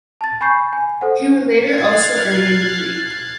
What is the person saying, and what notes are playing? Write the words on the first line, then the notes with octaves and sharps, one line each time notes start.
He would later also earn an degree.
A5 A6
G#5 B5 C#6 G6 C7
G#5
A4 C5 F#5
F6 F#6 G#6 A6 C7